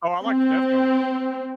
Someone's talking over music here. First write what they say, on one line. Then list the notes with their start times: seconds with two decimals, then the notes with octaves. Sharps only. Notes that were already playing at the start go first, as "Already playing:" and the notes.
Oh, I like the Deftones.
0.24 C4